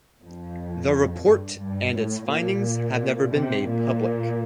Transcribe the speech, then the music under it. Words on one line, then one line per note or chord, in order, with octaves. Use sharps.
The report and its findings have never been made public.
F2
G2
G2
A2
A#2
C3
A#2